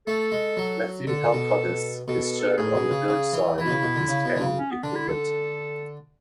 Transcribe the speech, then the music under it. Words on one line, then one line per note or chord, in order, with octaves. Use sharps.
Mathew Hallcottis is shown on the village sign with his tanning equipment.
A3 A4
G#3
F#3
D3 A4
B2
B2 A4
A4
A4
A4
A2 G#4
B2
C#3
C#3
E3
E3 E4
B2
C#3
B2
D3
C#3
B2
D3
C#3
C#4
B3
D3 D4
E4
A4